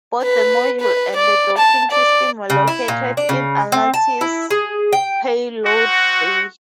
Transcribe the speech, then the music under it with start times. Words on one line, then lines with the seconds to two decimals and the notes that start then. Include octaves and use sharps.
Both the module and the docking system were located in "Atlantis"'s payload bay.
0.23 B4
0.80 B4
1.16 D5
1.57 A5
1.91 D5
2.50 C#3
2.68 E4
2.88 A#2
3.17 D4
3.29 C#3
3.72 C4
3.94 A5
4.21 E4
4.50 G#4
4.93 G5
5.64 C4 F#4